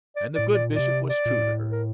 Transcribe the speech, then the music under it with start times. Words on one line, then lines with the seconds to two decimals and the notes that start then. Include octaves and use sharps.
And the good Bishop was true to her.
0.16 D5
0.35 A2 D5
0.47 A#2
0.55 D5
0.75 C3 D5
1.09 D5
1.26 A#2
1.40 A2
1.72 A#4